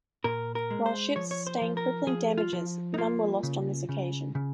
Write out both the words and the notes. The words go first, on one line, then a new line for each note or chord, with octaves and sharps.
While ships sustained crippling damages, none were lost on this occasion.
A#2 A#4
A#4
G#3
C5
F3 C#5
C#5
C5
F3
A#4
F3 G#4
F4
F3
D#4
A#3 F4
C#3
C#3
C#3